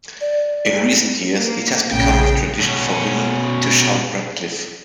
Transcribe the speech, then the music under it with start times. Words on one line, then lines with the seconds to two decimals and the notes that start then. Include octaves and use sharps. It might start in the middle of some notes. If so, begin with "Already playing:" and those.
In recent years it has become the tradition for women to shout Radcliffe!
0.21 D5
1.37 A#3
1.92 A#1 C#3 G5
2.60 B2 C#4